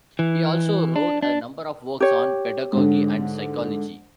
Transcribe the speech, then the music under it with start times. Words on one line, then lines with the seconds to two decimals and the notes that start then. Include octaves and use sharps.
He also wrote a number of works on pedagogy and psychology.
0.19 E3
0.96 D4
1.22 D4
2.00 G4 C#5
2.73 G#2 D3